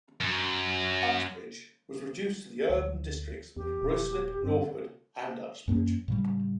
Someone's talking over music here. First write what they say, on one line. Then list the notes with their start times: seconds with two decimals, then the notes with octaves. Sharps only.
Uxbridge was reduced to the urban districts of Ruislip-Northwood and Uxbridge.
0.20 F#2
2.70 D2
3.57 E2 G4
3.82 D#1
4.43 G2 C4
5.68 F#2 A#3 C#4
6.08 A2 C#3 G3